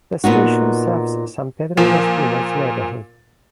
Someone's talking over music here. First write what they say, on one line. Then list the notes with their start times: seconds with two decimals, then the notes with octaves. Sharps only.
The station serves the San Pedro de los Pinos neighborhood.
0.24 A#2 B3 D#4 F#4
1.77 A#2 F3